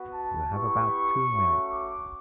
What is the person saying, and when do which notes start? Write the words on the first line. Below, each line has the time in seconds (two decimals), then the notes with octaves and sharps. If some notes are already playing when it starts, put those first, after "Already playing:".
You have about two minutes.
Already playing: B3 F#4
0.13 A5
0.52 B3 E4 G4 C#6
1.30 A3 C#4 F#4
1.70 D6